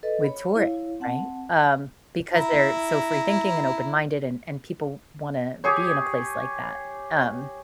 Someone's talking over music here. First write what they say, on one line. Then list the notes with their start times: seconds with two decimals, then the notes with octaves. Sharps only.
with tourists, right? Um, because they're so free-thinking and open-minded, and and people wanna be in a place like that. Um
0.03 A4 B4 D#5
0.24 C#5 B5
0.56 E4 C#5 F5
1.00 C4 F#5 A5
2.32 E4 A#5
5.64 G4 G#4 C#5